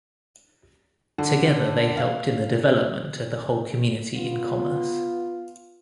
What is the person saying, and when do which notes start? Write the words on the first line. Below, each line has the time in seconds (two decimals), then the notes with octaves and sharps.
Together they helped in the development of the whole community in commerce.
1.18 D3
1.97 F5
4.15 B3 F4